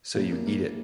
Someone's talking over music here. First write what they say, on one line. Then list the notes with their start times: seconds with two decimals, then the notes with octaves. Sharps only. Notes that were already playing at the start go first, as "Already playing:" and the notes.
So you eat it.
0.15 F#1
0.31 A#3
0.47 A#3